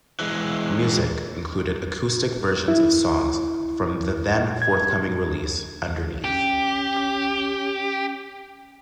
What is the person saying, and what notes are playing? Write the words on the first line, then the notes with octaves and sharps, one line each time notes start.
Music included acoustic versions of songs from the then-forthcoming release, "Underneath".
E3 G#3
E4
G#6
C#4 G4